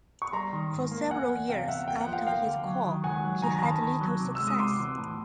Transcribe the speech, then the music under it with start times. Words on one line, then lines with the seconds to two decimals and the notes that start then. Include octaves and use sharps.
For several years after his call he had little success.
0.22 C#6
0.32 G3 A#5 C6
0.53 D#3
0.72 G#2
0.92 A#3
1.10 E2 F#5 G#5
1.30 E2
1.49 C3 F5 G5
1.68 E2 E5 F#5
1.88 A#3 G5
2.01 F#5
2.07 F3
2.13 F5 G5
2.27 A#3 F5 G5
2.46 D3
2.65 F#3
2.85 D#3
3.04 C#2 F#5 G#5
3.24 F#3
3.42 D#3 G#5 A#5
3.59 A#5
3.62 D#3 A5 B5
3.81 D#3
4.01 F#3
4.20 C3
4.35 G#3 E6
4.47 D#6
4.59 C3 C6 D6
4.79 E3
4.98 A2